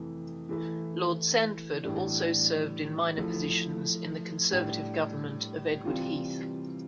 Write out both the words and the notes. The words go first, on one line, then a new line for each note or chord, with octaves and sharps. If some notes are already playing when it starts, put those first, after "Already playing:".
Lord Sandford also served in minor positions in the Conservative government of Edward Heath.
Already playing: F2 C3 E3 A3
E3 A3 E4
A2 E3 G3 D4
F3 A3 E4
A2 G3 D4
C3 E3 G3 C4 F4